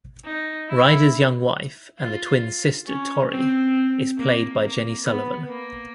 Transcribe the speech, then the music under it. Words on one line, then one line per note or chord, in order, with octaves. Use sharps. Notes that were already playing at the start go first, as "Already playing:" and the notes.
Rider's young wife and the twins' sister, Torrie, is played by Jenny Sullivan.
D#4
E4
F4
C#4
C4
A#3
A#3
B3
A#3